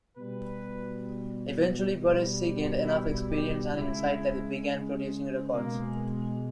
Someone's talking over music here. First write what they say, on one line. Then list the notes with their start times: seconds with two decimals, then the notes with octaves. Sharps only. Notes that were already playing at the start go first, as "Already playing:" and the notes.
Eventually Barresi gained enough experience and insight that he began producing records.
0.16 B2 G3 B4
1.95 B2 G3
2.84 E4
3.29 G4
3.73 C#3 G#3 E4
5.52 B2 G#3 A#3